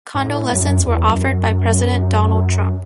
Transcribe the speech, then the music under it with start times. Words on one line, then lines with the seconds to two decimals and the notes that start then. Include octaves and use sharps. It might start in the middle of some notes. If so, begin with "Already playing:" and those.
Condolences were offered by President Donald Trump.
0.15 G#2
0.25 A2
0.53 F#2
0.79 E2
1.06 F#2